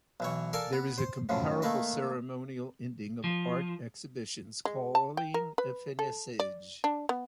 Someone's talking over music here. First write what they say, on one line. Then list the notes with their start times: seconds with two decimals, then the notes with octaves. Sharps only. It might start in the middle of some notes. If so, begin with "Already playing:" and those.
There is a comparable ceremonial ending of art exhibitions, called a "finissage".
0.20 B1 E3 C#5
0.53 A4 A#4 D5 F5 G#5 A5
0.73 B3
0.98 C5
1.29 F#2 A2 F3
1.62 D#3 A3 A#3 B4 D#5
3.24 F3
4.65 G#3
4.95 A5
5.17 G5
5.34 A#4
5.58 B4
5.99 A4
6.40 D5
6.84 D4
7.09 B3